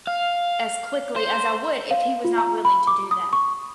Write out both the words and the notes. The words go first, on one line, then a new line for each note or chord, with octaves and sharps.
as quickly as I would if he was not willing to do that,
F5
C5
F5
F4
A#5
B5
D6
D#6
C#6